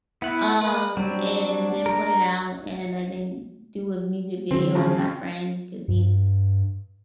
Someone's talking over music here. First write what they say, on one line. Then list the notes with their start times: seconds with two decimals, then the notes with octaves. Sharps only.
um, and then put it out, and I think do a music video with my friend, 'cause he
0.22 B3 E4 F#5
0.61 A#3 B4
0.97 F#3 G3 C4 D4
1.86 A#4 A#5
4.51 D3 E3 G#3 C4
4.75 F#2 C#3 F3
4.99 G5
5.88 G2